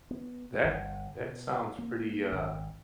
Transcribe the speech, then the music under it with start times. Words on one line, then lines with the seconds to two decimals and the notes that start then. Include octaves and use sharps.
that that sounds pretty, uh
0.11 B3
0.64 G1
1.21 B2
1.79 A#3
2.32 G#1